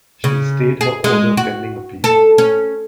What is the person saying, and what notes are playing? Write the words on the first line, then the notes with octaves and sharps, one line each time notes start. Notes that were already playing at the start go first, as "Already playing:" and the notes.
She stayed her order pending appeal.
C#3
G#4
G#3
F#4
A4
C#4